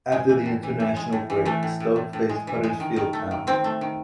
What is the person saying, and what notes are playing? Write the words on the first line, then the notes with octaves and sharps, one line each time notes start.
After the international break Stoke faced Huddersfield Town.
G#3
E3
A2
E3
E3
G#3
A2
E3
E3 A3
A2
A2
A2
A2
G#3
E3
G#3
D#3
D#3
A3
D#3
D#3 C4
A3
D#3